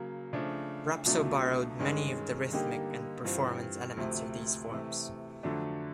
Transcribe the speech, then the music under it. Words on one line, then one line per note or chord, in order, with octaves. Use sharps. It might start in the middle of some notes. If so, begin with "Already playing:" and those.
Rapso borrowed many of the rhythmic and performance elements of these forms.
Already playing: C#3 F#3 A#3
C#3 F3 A3 D4
C#2 B2 F#3 A3 D4
G2 D#3 G#3 C#4
D3 G3 A#3 D#4 G4
G2 E3 G3 C4 F4
D2 C3 F3 A3
C3 E3 A3
F2 D3 F#3 A3 D4